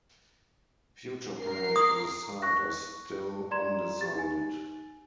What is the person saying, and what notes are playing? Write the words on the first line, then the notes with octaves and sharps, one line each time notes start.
Future plans for the site are still undecided.
A#4 C7
D#6
C#6 F#6 A#6
D5 A#5 C6 G#6 E7
G4 A6
D#4 G#5